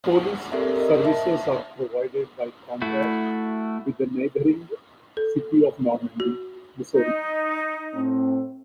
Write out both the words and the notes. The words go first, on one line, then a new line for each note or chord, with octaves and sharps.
Police services are provided by contract with the neighboring City of Normandy, Missouri.
F#5
C4 G4 A4 A#4 D5 E5
A#4 D#5
E5 A5
A3 E4 F#4
A4
F#4
D#4
A2 A3 C4